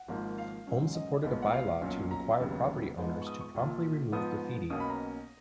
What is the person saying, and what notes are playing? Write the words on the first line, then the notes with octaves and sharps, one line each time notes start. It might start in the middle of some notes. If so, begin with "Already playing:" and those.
Holmes supported a bylaw to require property owners to promptly remove graffiti.
Already playing: F#5
G#1 G#2 F3 A#3
F5
G#2 F#3 C#4
D#5
B1 A#2 G#3 B3
F#5
F5
B1 A#2 F#3 C#4
A#5
F1 D#2 C#3 F#3 B3
G#2 F3 G#3 B3
C#6
D#6
C#6
A#1 A#2 F3
G#2 F3 B3 D#6
B1 B2 A#3 C#4 D#6
B5
A#5